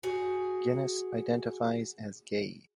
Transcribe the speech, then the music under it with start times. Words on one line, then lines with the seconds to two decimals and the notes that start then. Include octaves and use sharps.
Guinness identifies as gay.
0.03 F#4 G#4